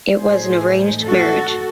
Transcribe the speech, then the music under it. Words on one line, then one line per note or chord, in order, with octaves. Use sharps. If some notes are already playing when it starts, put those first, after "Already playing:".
It was an arranged marriage.
A2 E3 A3 D#4 G#4 C5
F#4 A4